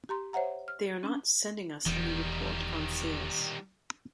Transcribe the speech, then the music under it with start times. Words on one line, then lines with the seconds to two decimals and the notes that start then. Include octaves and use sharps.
They are not sending us any report on sales.
0.09 G4 A#5 C6
0.33 C5 C#5 E5 F#5 A#5
0.68 F6
1.03 C#4 D4
1.86 E1 D#3 E3 G3